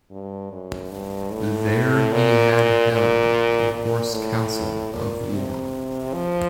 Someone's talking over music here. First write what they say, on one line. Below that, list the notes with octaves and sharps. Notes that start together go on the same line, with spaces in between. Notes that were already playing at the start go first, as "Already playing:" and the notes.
There he had held a hoarse council of war.
G2
F#2
G2
A2
A#2
A#2
A#2
A#2
A2
A#2
C3
F3